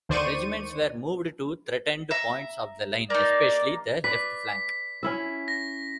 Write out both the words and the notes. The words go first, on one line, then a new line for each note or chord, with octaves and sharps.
Regiments were moved to threatened points of the line, especially the left flank.
D2 D#3 C5 D5 C#6 D#7
E5 A#5
A#3 D#4 D5
B4 D5 B6
C#4 E4 E5
A#6